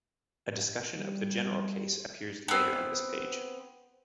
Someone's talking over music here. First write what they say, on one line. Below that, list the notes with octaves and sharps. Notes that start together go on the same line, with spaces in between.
A discussion of the general case appears later on this page.
G3
B3 C4